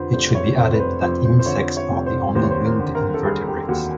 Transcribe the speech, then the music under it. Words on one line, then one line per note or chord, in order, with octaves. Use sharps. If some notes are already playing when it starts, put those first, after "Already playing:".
It should be added that insects are the only winged invertebrates.
Already playing: F1 F2 D3 B4 C5
F1 C5
C#5
F1 C5
B4
C5
F2 C5
C5
C5
D3 C#5
C#5
F1
C5
D#2 C5
C#5
C5
A#4
D3
A#4
A4
G3 G#4
G4
D#2 F#4